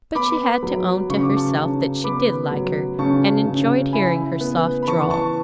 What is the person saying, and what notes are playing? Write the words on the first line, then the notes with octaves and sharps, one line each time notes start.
But she had to own to herself that she did like her, and enjoyed hearing her soft drawl.
B3 B5 D6
F#3
C#3 C#6
D6
A5 C#6
C#3
B3 B5 D6
F#3
C#3 A5 C#6
C#3
E4 G#5 B5
B3
B5
E3 A5 C#6
A5 C#6